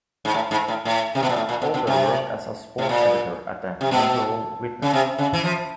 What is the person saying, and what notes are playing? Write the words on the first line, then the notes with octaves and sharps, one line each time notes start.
Calder worked as a sports editor at the "Montreal Witness".
G#2
A2
G#2
A2
A2
C3
B2
A#2
A2
A#2
B2
B2
C3
A2
A#2
C3
B2
C#3
C3
C#3
E3
F3